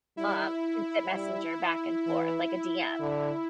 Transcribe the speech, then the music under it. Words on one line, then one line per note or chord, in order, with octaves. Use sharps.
uh, instant messenger back and forth like a DM.
G3 E4
G3
E3 E4
D3